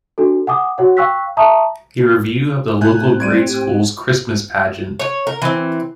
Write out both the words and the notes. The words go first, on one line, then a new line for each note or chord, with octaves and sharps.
A review of the local grade school's Christmas pageant.
D4 F#4 A4
F#5 G#5 D6 D#6
F#4 C#5 F#5
F5 G5 C#6 E6 F#6 B6
E5 A5 A#5 C#6 D#6
A2 G#5 F#6 G6
C4
G3 G#6 D7 D#7
G4
C#5
A#4
E3 C4